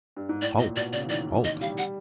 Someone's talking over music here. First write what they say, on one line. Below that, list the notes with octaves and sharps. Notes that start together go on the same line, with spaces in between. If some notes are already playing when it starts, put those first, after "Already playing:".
"Halt! halt!"
G2
G#2
A2 D5
A#2 D#5
B2 D5
C#3 D5
E3
D#3 D5
E3
D#5
G3 F5
G3 F#5